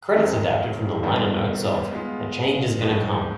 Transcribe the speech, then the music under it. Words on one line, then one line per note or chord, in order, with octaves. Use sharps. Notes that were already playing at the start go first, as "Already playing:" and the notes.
Credits adapted from the liner notes of "A Change Is Gonna Come".
F2 D#3 G#3 C4 D#4
G#2 D#3 G3 B3 D4
G#3 B3 F4
G2 F3 G#3